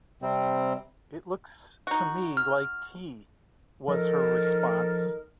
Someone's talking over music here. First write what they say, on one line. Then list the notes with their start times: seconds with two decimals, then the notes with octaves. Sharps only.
"It looks to me like tea," was her response.
0.22 C3 G3 C4
1.87 D#4 F#4
2.37 F6
3.88 F3 D#4 A4 A#4